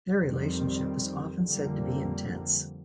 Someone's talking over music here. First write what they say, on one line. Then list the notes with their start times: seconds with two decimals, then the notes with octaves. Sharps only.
Their relationship is often said to be intense.
0.21 F2 D#3 G3 C4
1.42 F2 D3 G3 A#3